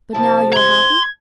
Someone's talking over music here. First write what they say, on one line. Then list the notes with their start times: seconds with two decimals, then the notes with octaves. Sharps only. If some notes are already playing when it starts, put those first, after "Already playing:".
"But now you are happy?"
0.14 C3 F3 E4 A5
0.53 A#5 C6 G#6